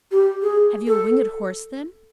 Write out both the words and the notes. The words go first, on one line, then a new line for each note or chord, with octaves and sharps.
"Have you a winged horse, then?"
G4
G#4
A4